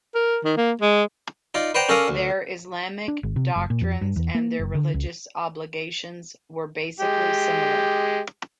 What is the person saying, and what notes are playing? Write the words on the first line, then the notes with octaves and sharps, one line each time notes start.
Their Islamic doctrines and their religious obligations were basically similar.
A#4
D#3
A#3
G#3
D#4 F4 D5
B4 C5 D5 F#5 G5 A#5
C#4 A4 A#4 D5 F5 D#6
D2
D4
G#1
C3
F#1
A#2
F2
G2
E2
A#3
F#1
D3
C#2
G#3 G4